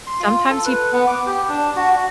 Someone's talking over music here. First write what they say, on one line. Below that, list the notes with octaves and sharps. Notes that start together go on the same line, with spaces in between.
sometimes you
C6
F4
A4
B4
B3
D6
G4
D4
F#4
F#4